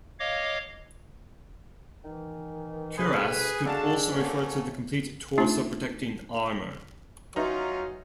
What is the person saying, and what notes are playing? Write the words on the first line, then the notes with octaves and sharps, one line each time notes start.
"Cuirass" could also refer to the complete torso-protecting armour.
C#5 D#5 F5 D6
D#3 E3
D2 C3 G#4 B4
D3 G#3 D4 F#4 F5 A5
A3 A#3 F#4 G#4 C5 C#5
A3 D4 D#4 F4
F#3 C#4 D#4 F4 F#4 B4 E5